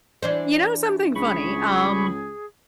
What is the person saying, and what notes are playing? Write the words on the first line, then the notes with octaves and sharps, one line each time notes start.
You know something funny, um,
E3 D4 C5
C#2 G#4 B5 C#6